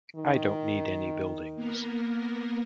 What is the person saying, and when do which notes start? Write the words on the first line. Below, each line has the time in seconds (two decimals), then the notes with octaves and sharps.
I don't need any buildings.
0.16 D#3
1.56 A#3 B3 A#4